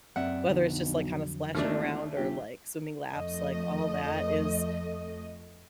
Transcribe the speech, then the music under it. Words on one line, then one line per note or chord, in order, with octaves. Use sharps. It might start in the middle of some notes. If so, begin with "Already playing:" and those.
whether it's just, like, kinda splashing around or, like, swimming laps, like, all that is
F#2 C4 D5 E5 F#5
B1 F2 D3 F#3
E1 D#2 A3 D4
G1 G4
F2 A3 D#5